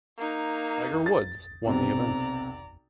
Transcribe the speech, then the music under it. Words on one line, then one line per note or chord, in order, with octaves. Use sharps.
Tiger Woods won the event.
A#3 D#4
A6
B1 C3 D5 A#5